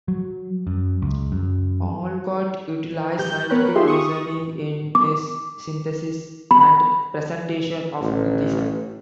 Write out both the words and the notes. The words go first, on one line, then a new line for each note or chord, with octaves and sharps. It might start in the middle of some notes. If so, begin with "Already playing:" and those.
Olcott utilized scientific reasoning in his synthesis and presentation of Buddhism.
F#3
F#2
C#2
F#2
G4 G6
B3 A#4 B4 C#5 B5 F#6
D#4 F4 G4 G#4 E5 C6
C#6 D#6
D6
B5
A1